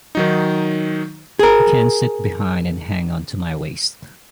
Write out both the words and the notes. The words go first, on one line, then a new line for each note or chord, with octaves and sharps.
You can sit behind and hang on to my waist.
D#3 F#3 D#4
G#4 A#4